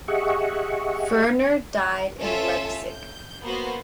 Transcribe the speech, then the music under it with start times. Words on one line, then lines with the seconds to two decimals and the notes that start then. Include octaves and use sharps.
Ferner died in Leipzig.
0.08 G4 G#4 D#5 E5 F#5 C#6
2.18 C#4 F4 A4 E5
2.88 G6
3.43 A#3 B3 F#4 C5